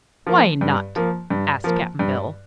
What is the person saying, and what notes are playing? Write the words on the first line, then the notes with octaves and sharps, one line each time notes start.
"Why not?" asked Cap'n Bill.
F3 A#3
G2
F3 A#3
G2
F3 A#3
G2